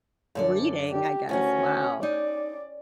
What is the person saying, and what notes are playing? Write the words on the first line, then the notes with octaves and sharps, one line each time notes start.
reading, I guess, wow
F#2 D3 D5
G4
D2 D#3 C#4 F#4
D#4 D5